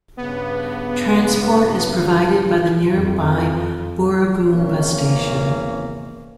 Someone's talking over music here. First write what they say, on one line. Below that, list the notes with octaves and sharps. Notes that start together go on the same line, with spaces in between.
Transport is provided by the nearby Booragoon bus station.
G2 C#3 B3
F2 F3
G#1 E2 A#3 C#4